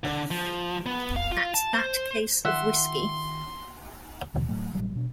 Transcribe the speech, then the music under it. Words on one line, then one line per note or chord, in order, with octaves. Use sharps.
At that case of whiskey?
D3
F3
B3
F5
F4
A5
C5
D#3 F4 G4 E5 F#5 C6
D#2 B2 D3 E3
A2 F#3 A3
A1 A#2 F#3 G3
B2 D4